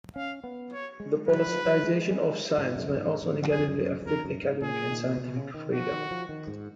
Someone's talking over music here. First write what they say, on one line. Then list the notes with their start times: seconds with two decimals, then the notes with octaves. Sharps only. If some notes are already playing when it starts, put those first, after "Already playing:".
The politicization of science may also negatively affect academic and scientific freedom.
0.16 C#4 F5
0.44 B3
0.72 C#5
1.00 G#3
1.28 F#3 B4
1.47 F3
1.65 F#3
1.83 G#3
2.11 G#3
2.58 G#2
2.76 F#2
2.89 F#2
2.95 G#2
3.22 G#2
3.50 F#2 G#4
3.59 F2
3.68 F#2
3.78 F#2
4.01 F#2
4.06 F2 A#4
4.25 F#2
4.43 G#2
4.61 A#2 G#4
4.91 D#3
5.04 C#3
5.17 B2
5.36 C#3
5.54 D#3
5.73 F3 F#4
5.92 D#3
6.11 F3
6.29 D#3
6.47 G#2